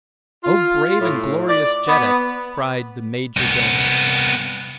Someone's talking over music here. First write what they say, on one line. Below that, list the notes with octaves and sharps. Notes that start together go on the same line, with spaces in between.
"O brave and glorious jeddak!" cried the major-domo.
F4
A2
D5
B3
C2 B3